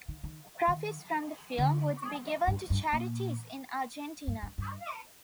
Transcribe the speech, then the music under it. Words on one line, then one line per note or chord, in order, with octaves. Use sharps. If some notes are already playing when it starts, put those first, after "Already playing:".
Profits from the film would be given to charities in Argentina.
D#3
D#3
D#3
D3
G2
G2
A#2
G2
G2
G2